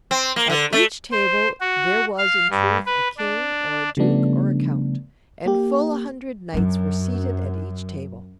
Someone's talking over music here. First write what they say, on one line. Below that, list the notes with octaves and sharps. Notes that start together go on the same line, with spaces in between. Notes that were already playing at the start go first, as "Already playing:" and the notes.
At each table there was in truth a king or a duke or a count; and full a hundred knights were seated at each table.
C4
A#3
D3
A3
C5
F#4
F5
G2
B4
D4
C#3 F3 G3 A3 B3 D4
A#3 G4
F#2 F#3 D4